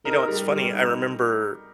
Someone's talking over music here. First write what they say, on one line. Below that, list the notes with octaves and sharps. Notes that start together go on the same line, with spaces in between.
You know, it's funny, I remember
D#4 A#4
G3
G3
D#4